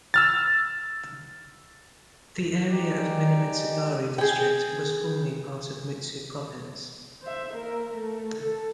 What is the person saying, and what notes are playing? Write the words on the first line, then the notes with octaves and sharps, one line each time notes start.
The area of Minamitsugaru District was formerly part of Mutsu Province.
E6 F6 A6
G#3 D#4 G4 D5
G#4 G5
C5 E5
A#3 A#4
A3
A4